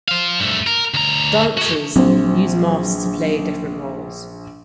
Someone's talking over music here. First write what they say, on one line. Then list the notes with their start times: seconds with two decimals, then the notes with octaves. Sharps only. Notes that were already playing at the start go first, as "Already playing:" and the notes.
Dancers use masks to play different roles.
0.08 C5 F5
0.40 G2 A3
0.67 A#4
0.94 D2 A#5
1.58 F#4 G#4
1.96 A#1 F#3 C4 C5